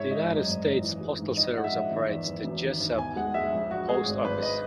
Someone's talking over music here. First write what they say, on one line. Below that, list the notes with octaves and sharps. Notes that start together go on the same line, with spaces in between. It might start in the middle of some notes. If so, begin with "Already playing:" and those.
The United States Postal Service operates the Jesup Post Office.
Already playing: G#2 G#3 C#5 E5
G#3 D#5
F#2
G#1
G#1
E3
G#3
G#2
A#1 D#5
G#3 F#5
E5
A#1
D#3
E2
E2
E1
D#3
D#2
B2 G#5
G#3 F#5
G#3 E5
A#1
A#1 F#4
G#3 G#4
G#1
G#1 B4
D#5